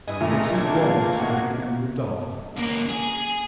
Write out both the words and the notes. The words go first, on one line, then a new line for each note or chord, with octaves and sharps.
Nixon grumbled something and moved off.
G2 E4 D#5 G#5 D#6
A#2 D#3 A3 A#5
A#3 D4 E4 G#6
F4 G#4
D#3 F#4
C#2 A#3
G#4 G#5